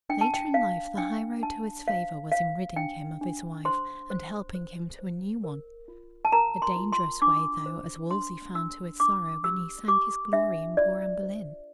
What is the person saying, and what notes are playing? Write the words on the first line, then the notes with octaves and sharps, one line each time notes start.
Later in life the high road to his favor was in ridding him of his wife and helping him to a new one--a dangerous way though, as Wolsey found to his sorrow when he sank his glory in poor Anne Boleyn.
D4 G5
A5
G5
D4 F5
D4 G5
D4 A5
C5 F5
C5 F5
D4 G5
D4
C5 C6
C5
C5
C5
A#4
F4
A5
A#4 A#5
C6
F4
C6
D4 D6
C5
D4 C6
D4 E6
D4 D6
G4 E6
G4 D6
D4 E5
F4 D5
C5